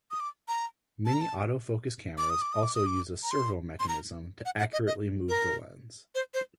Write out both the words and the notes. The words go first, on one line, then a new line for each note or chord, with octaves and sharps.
Many autofocus cameras also use a servomechanism to accurately move the lens.
D#6
D6
A#5
A5
A#5
A5
D6
D#6
D6
D#6
D6
D#6
D6
A#5
C6
C6
A#5
F#5
F#5
D#5
D#5
A#4
C5
C5